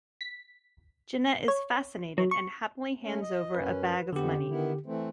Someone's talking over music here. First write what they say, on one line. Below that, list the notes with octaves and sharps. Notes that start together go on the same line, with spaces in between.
Jeanette is fascinated and happily hands over a bag of money.
B6
C#5
F#3
C#6
A3 C#4
D#5
F#2 C#4 B4
F2 D3 B3 G4
D#3 B3 E4
E3 A3 C4